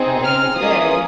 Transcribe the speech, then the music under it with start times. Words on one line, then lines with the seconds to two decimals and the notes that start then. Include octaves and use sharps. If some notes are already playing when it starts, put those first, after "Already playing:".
No rain to-day.
Already playing: C4 D#4 G#4
0.23 F6
0.56 A#3 C#4 F4 G#4 D#6